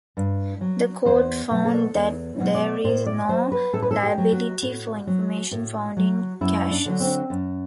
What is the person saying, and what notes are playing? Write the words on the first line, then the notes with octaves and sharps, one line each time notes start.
The Court found that there is no liability for information found in caches.
G2
F#3
E2 C5
B2 F#3
A4
E2
B2 F#3
D5
A2 C5
D5
F#3 C5
B4
A2 A4
B4
A4
G4
F#3
F#4
A2
F#3
A2
F#3
F#2 E4
D4
D3 F#3
C4
F#2